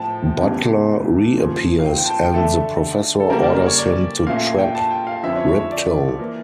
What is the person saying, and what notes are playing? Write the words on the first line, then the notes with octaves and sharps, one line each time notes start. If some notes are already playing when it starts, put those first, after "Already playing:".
Butler reappears, and the Professor orders him to trap Ripto.
Already playing: A2 F3 G5 A5
E2 C#3 G3 C#4
A#2 F3 C#4
F5
G5
G5
A5
G5
G5
D3 A3 D4 A4
A4
C#3 G3 A#3 A#4
D5
A#4
C#5
D5
A#2 A3 C#4 F5
F5
G5
A5
G5
F5
F2 D3 F3 C#4 E5
C#5
C#5
E5
D5
E3 A#3